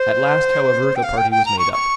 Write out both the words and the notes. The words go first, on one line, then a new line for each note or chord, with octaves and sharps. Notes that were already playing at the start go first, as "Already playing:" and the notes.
At last, however, the party was made up.
Already playing: C5
G5
F5
G5
G5
A#5
C#6
C#6